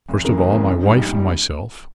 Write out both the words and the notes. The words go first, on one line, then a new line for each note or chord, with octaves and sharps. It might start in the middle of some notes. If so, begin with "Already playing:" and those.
First of all my wife and myself.
F1
F2 C#3 E3 A#3
F1
F2 C#3 E3 A#3
A#1
G#2 G3
A#1
G3